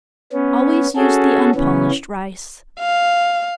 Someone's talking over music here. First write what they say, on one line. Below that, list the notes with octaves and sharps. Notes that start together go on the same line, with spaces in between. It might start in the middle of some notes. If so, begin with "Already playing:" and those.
Always use the unpolished rice.
B3 C#4
C#4 F#4 G#4 A4
C#3 E3 B3 C#4
F5